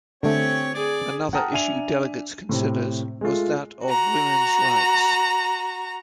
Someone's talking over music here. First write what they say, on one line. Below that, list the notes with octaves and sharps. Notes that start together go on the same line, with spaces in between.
Another issue delegates considered was that of women's rights.
D3 A3 C4 C#4 G4 C#5
G#4 D5
F#5 G5 A5 A#5 D#6 F6
D4 E5 G#5 D#7 F7
A2 C3 C4
G#3 A3 F4
F#4 A#5